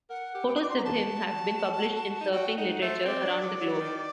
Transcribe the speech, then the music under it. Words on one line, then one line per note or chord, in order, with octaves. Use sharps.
Photos of him have been published in surfing literature around the globe.
A#4 F#5
G4
G5
D#6
F#4 D6
C6
A#5
A5
D#4
F#4 G5
D#4 F#5
A3 C5
C5
C4 D5
D4
F#3
F#3
D#3